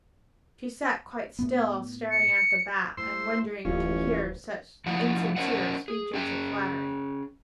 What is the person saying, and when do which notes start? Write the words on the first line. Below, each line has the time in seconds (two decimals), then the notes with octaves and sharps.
She sat quite still staring at the Bat and wondering to hear such insincere speeches of flattery.
1.39 A2 B3
2.10 C#7
2.97 A2 C5 C6 E6
3.65 D1 A1 E3 G3 C#4 F4
4.86 A2 F3 G3 E4 F#5
5.36 C#4 D4 A#4 C5 D#5 F#5
5.88 G#4
6.13 C#4 G#4 G5